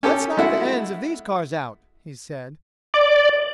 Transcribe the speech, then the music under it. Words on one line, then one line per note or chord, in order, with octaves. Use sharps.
"Let's knock the ends of these cars out," he said.
C#4 G4 A4
G#3 A3 E4 F#4
D5